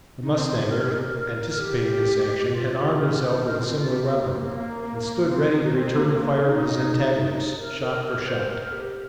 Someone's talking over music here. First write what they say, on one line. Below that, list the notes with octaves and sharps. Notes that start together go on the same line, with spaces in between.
The mustanger, anticipating this action, had armed himself with a similar weapon, and stood ready to return the fire of his antagonist-- shot for shot.
D#4
C4
C4
G4
A#4
G4
A#4
A#4
A#4
G4
F4
G4
A#4
C5
A#4
C4
C4
F4
G4
C4
A#3
C4
A#3
C4
D#4
C4
A#3
D#4
A#4
A#4
A#4
C5
A#4
G4